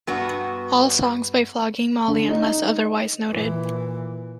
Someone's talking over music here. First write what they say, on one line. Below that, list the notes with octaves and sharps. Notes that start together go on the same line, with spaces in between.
All songs by Flogging Molly unless otherwise noted.
G2 B3 F#4
D3
D#4
A#2 E3